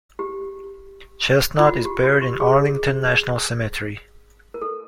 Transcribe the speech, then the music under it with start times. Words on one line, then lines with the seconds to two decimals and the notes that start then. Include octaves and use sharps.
Chestnut is buried in Arlington National Cemetery.
0.19 G4
1.59 F4
1.67 F#4
1.85 G4
2.03 F#4
2.22 G4
2.40 G#4
4.54 A#4
4.62 A4